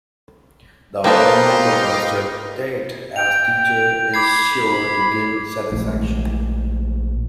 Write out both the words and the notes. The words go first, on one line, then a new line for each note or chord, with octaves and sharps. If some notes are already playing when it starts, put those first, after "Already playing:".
The appointment of Mr. Tait as teacher is sure to give satisfaction.
G3 A#3 C4 D#4 F4 G4 A4 B4
G5 F7
B5 D6 G#6 C7
A#1 G#3 A3